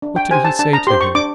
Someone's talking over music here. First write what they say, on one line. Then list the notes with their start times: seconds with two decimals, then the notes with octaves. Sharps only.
What did he say to her?
0.02 D4
0.16 G5
0.31 G4 C5 G#5
0.44 A5
0.59 D4 A5
0.73 A#5
0.87 G4 C5 C6
1.01 C#6
1.15 D4 D6